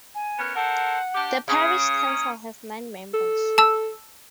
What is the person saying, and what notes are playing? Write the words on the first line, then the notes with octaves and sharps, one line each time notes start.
The parish council has nine members.
G#5
B3 C#4 A#4
A4 A#4 C5 F#5
D4 G4
C#3 D#6
A#3 C#4
A4
A5 E6